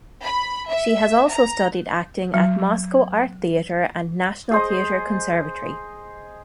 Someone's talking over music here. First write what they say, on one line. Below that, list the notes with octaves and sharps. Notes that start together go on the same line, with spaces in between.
She has also studied acting at Moscow Art Theatre and National Theatre Conservatory.
B5
E5
A#5
F#3
G#4 C5 D#5